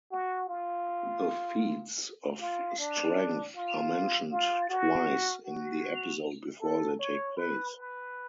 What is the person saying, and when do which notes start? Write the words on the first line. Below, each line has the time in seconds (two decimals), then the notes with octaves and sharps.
The Feats of Strength are mentioned twice in the episode before they take place.
0.12 F#4
0.49 F4
2.40 F4
2.79 D4
3.55 F4
4.32 F4
4.70 F#4
5.46 F#4
6.61 A4
6.99 C#5
7.37 B4
7.75 B4